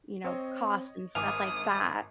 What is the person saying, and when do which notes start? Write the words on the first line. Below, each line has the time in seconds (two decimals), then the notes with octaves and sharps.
you know, cost and stuff like that.
0.24 C4 C#5 D#5
1.15 G#1 G#5 D6 D#6 F6